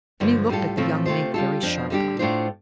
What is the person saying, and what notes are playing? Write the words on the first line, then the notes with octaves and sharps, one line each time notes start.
Then he looked at the young Mink very sharply.
G2 D3 F3 A3
A2 G3 F4 A4
A2 F3 A3 C4
C3 A3 F4 C5
G3 F4 A4
F2 F3 D4
D3 G3 D4 G4
A2 A3 D4 F4 C5